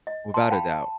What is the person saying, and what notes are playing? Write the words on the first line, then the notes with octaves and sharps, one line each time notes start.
Without a doubt.
D#5
A5 C6
F5 G5 B5